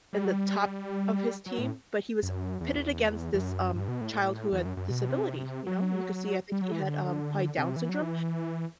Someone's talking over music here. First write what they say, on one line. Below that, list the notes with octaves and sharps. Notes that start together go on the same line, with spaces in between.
in the top of his team, but he was pitted against this, um, child who had disability, you know? You could see, I think, he had, um, probably Down syndrome,
G3
F#3
G3
F#3
A2
F#2
E2
E2
F#2
G2
B2
A2
A2
E2
F#2
F#2
B2
C3
F#3
G3
F#3
E3
D3
C3
E3
F#3
E3